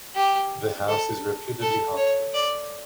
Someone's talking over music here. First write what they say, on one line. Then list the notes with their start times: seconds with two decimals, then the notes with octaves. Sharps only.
The house is reputedly haunted.
0.15 G4
0.88 A4
1.61 A4
1.97 C#5
2.34 D5